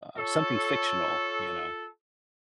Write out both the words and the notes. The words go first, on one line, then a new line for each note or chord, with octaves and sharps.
uh, something fictional, you know.
F4 A4 C#5